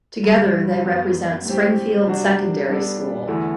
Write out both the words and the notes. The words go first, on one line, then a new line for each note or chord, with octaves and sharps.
Together, they represent Springfield Secondary School.
G2 D3 G3
F#2 F#3 B3
A2 G3 C4 G4
C3 G3 D4 F#4
G3 B3 D4 A4
E2 D3 A3 E4